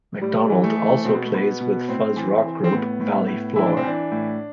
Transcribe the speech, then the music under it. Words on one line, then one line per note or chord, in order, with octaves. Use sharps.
MacDonald also plays with fuzz rock group 'Valley Floor'.
A2 G3
E3
A3
E3
B2 C4
B3
A3
B2 B3
B2
A2 C4
E3
E3
C4
A2 B3
A2
A2
E3 E4
D4
C4
E3 D4
A2